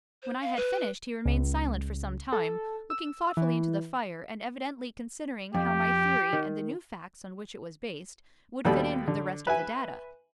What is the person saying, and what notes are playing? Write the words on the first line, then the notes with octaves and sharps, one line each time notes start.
When I had finished, he remained silent for some time, looking thoughtfully into the fire and evidently considering how my theory and the new facts on which it was based would fit in with the rest of the data.
C5
F5
B4
C#2
A4
E6
E3
F2 G4
D#3
D#2 B2 G3 A4 D5 B5
D3
B4 E5 G#5